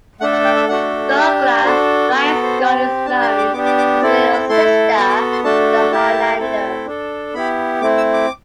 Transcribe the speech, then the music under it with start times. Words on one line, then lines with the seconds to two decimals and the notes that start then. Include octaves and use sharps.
Douglass' "Flying Scot" is known as the little sister to the "Highlander".
0.21 A3 D4 A4 F#5
0.32 F#5
0.45 G5
0.56 E5
0.68 A3 D4 F#4 A4 F#5
1.16 D4 G4 E5
1.63 D4 F#4 A4 C5
2.11 B3 F#4 A4 B4
2.27 B4
2.43 C5
2.59 C4 G4
3.05 D4 G4 A5
3.22 C6
3.38 D6
3.54 B3 D4 G4 D6
3.66 D6
3.78 D6
4.01 C4 E4 A4 D5
4.33 B5
4.49 A3 E4 A4 C6
4.97 B3 F#4 A4 D6
5.09 D6
5.32 C6
5.44 A3 D4 F#4 A4 A5
5.91 A3 E4 G4 A5
6.39 A3 C4 E4 A4
6.86 D4 A4
7.34 B3 E4 G4 B5
7.81 A3 C4 E4 D6
7.97 E6
8.13 D6